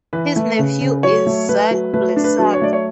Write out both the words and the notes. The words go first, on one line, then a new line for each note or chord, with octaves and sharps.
His nephew is Zach Plesac.
E3 B4
A3
C#3
C#3
F#3 C#5
A3
A3 B4
F#3
A3 B4
D4
B4
F#3
C#5
A3 D5
C#5